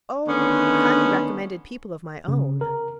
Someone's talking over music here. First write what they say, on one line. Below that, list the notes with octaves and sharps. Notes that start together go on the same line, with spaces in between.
'Oh, highly recommended people of my own.'
D3 D#3 A3 B3 C#4
C#3
A#4